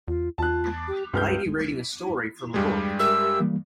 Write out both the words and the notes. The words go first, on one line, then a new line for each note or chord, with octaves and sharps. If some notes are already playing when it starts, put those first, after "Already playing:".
Lady reading a story from a book.
E2 F4
E2 F4 A5 F#6
G4
C#2 G2 B4 F6 G6
E2 G2 G3 G#3 G4
G4 A#4 E5 E6
E3 G3 A#3